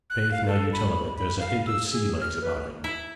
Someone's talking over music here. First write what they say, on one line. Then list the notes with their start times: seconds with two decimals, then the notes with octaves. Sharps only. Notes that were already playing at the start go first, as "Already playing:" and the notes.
'Faith, now you tell of it, there's a hint of sea legs about him.
0.10 F#6
0.31 F5
0.47 A4
0.73 B5
1.16 B5
1.39 F5
1.67 E6
1.92 G#4
2.21 F6
2.41 B4
2.84 E4